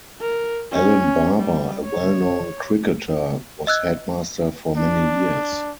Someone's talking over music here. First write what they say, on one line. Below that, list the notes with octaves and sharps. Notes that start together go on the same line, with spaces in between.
Alan Barber, a well known cricketer, was headmaster for many years.
A#4
C#4
G3
C#5
D#5 E6 F#6 G#6
D4